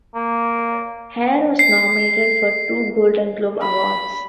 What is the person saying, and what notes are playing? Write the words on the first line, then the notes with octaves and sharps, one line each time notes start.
"Hair" was nominated for two Golden Globe Awards.
A#3
C7
B5